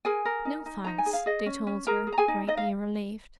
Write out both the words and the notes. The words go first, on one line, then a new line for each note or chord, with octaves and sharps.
"No, thanks," they told her, greatly relieved.
G#4 A#4 G#5
A#4
D#4
D#4
D#4 A#5
G#5
G#4
F5
G#4 D#5
C#4
C#4
G#4 A#4 A#5
G#4
A#5
G#4 G#5
D#4
D#4 D#5
F5